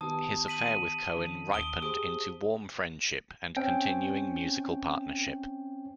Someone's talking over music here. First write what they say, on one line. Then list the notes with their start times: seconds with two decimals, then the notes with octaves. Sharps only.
His affair with Cohen ripened into warm friendship and continuing musical partnership.
0.01 D#3 B3 G4 A5 D#6
0.48 B6 D#7 F#7
1.16 D#3 C#4
1.53 D#2 D#6 D7 G7
1.82 G4 G#4 C5 D#6 D7
3.56 C4 C#4 G5